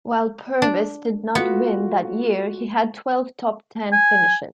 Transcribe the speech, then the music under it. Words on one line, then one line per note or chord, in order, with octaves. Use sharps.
While Purvis did not win that year, he had twelve top-ten finishes.
D4
A3 B3 F4 F#4
G#5